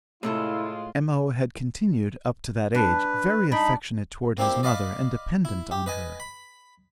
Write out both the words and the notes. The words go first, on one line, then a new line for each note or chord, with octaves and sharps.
M.O. had continued up to that age very affectionate toward his mother and dependent on her.
A2 C3 G#3 A3 E4 F4 A4
D4 B4
D4 D#4 B5
A#3 C4 D4 E4 G4
D5 D#5 F5 B5 D6
E4
G4
B4 D#5 G#5
B5